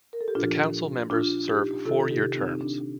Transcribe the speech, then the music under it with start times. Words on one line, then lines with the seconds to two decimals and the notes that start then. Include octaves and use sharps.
The council members serve four-year terms.
0.13 A#4
0.21 A4
0.28 G4
0.35 A#2 F3 D4 F4
1.10 D4 F4
1.48 D#4 G4
1.85 C3 D#3 F4 A4
2.10 D#4 G4
2.36 C4 D#4
2.49 D#4
2.61 D4